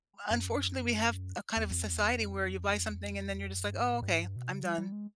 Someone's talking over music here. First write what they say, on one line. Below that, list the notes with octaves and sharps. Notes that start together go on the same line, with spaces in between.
unfortunately, we have a kind of a society where you buy something, and then you're just like, "Oh, okay. I'm done."
F#2
E2
F2
E2
F2
E2
F2
E2
F2
F#2
G2
G#2
A2
G2
G#2
G2
B2
C#3
G3
G3
G#3